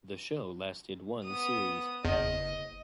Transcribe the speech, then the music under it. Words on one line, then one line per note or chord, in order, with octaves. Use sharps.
The show lasted one series.
B3 D#6
F#1 E2 D#5